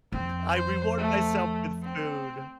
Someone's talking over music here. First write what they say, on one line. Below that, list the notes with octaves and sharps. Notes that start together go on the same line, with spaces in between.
I reward myself with food,
F2 C4
C5
A3
C4